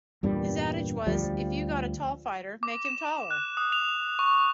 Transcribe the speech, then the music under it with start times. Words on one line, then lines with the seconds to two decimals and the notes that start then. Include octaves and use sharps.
His adage was: If you got a tall fighter, make him taller.
0.23 E2 G2 A#2 G3
1.07 D2 F3 G3
2.63 D6
2.85 E7
3.31 F#6
3.57 D#6
3.72 F7
4.19 C#6